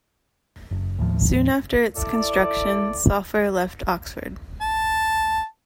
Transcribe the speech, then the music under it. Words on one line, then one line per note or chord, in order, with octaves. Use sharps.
Soon after its construction Soffer left Oxford.
F#1
D#2 A2 F3
E4 A4 D5
A5